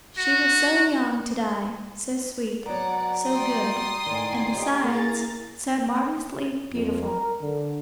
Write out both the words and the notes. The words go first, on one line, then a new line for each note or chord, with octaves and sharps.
She was so young to die, so sweet, so good, and besides so marvelously beautiful!
F#4
F#3 B3 D5 F#5 A#5
D5 G5 C6 D#6
A2 D#3 D5 G#5 C7
F4 G4 C#5 D#5
A#3 E4 G#4 A#5 A6
F2
A#4
D3